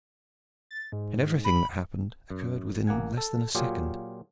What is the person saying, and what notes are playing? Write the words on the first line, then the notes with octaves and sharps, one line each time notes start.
And everything that happened, occurred within less than a second.
A6
G#2
B5
F#2
A1 A#3 F#5 G#5
A4
A#2 F#3 F4 G4 G#4